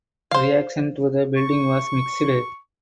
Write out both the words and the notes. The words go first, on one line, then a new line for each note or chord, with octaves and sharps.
Reaction to the building was mixed.
C5 F5
C#6